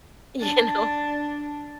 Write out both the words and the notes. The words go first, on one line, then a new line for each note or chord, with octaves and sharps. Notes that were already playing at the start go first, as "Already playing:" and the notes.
you know.
D4